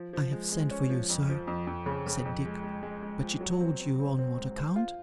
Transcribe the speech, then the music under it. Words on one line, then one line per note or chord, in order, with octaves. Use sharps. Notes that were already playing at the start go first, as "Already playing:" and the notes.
'I have sent for you, Sir,' said Dick--'but she told you on what account?'
Already playing: F3
F3
G#3
G#3
C#4
F3
F2
F3
F2
F2
C#3
C#3
F2
G#3
G#3
G#3
G#3
F3
F#3
C4
C4
C4
C4
G#2
C5
F4